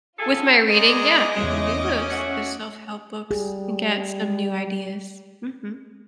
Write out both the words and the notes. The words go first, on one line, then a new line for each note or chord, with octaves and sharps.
with my reading yeah, I can do those, the self-help books and get some new ideas. Mhm.
A2 F4 G#4 A4
G#3 D5 D#5 A#5 D6
E2 C#3 E5
C#4
A3 F#4
G3 G#4